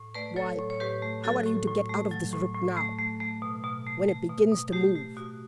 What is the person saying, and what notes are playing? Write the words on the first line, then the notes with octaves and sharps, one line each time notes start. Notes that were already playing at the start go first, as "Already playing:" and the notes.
"Why, how are you to get out of this ruck now, when it begins to move?"
Already playing: A2
A3 B4 D5
F#3 A4 C#5
A2
C#5
A2 G4 B4
A3
F#3 F#4 A4
A2
A2
A3
F#3
A2
A2
A3
A3
A3
B2
B2
A3
A3
B2
B2
A3 G4
A3
B2 F#4